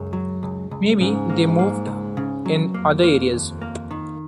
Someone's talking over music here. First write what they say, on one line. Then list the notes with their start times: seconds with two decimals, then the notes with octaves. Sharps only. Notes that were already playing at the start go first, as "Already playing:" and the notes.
Maybe they've moved in other areas.
Already playing: C#2 F#2
0.13 F#3
0.43 C#2
0.71 C#2
1.00 G#2 C#3
1.30 A#3
1.59 A#3
1.87 C#2
2.17 C#3
2.46 F#3
2.74 F2 A#3
3.04 A#3
3.34 D#2
3.62 A#3
3.91 D#3